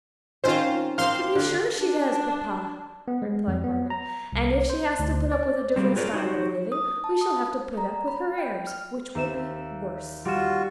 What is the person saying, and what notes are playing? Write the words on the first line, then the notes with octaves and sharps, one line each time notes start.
'To be sure she does, papa,' replied Margaret; 'and if she has to put up with a different style of living, we shall have to put up with her airs, which will be worse.
D#3 C4 C#4 F4 C5
A#3 C4 C5 F5 C6
D3 D5
D4
B3
G#3
F2
B3
A#5
C2
C5
D2
D5
G3 G#3 A#3 C4
F4 G#4 A#4 B4 C#5 D5
D#4 F#4 G4 C5
D#6
A5
D#6
A#5
B5
G5
F6
D#2 E5 E7
G3 F4 F#4 E7